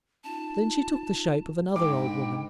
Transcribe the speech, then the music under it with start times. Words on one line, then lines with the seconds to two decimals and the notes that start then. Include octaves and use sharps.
Then she took the shape of another old woman.
0.24 C#4 D#4 F4 A5
1.76 G#2 D4 A4 G5 B5 D6